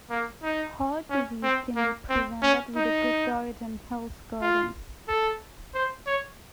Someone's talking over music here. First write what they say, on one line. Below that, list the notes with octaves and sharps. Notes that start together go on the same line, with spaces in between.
Heart disease can be prevented with a good diet and health guidance.
A#3
D#4
C#4
C4
A#3
C4
C#4
D#4
F4
A4
C5
C#5